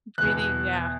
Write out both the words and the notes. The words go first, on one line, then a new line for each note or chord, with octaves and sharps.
breathing Yeah,
E2 F#6
B2